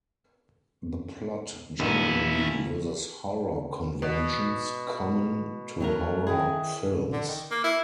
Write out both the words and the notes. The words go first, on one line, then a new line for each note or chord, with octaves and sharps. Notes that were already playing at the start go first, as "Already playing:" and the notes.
The plot generally uses horror conventions, common to horror films.
A#1 D#2 D#3 C#4 E4
B2
F#3 A3 A#4
D#3 E3 G#4
D3
D#3
A#3
E4